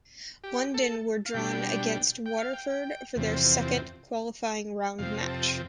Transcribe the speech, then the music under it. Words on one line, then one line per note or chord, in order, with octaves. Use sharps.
London were drawn against Waterford for their second qualifying round match.
G4
A4
F5
B2 G3 D4 G5
G5
F5
G5
G5
E2 C3 F3 C4
F2 C3 F3 C4 F5
A5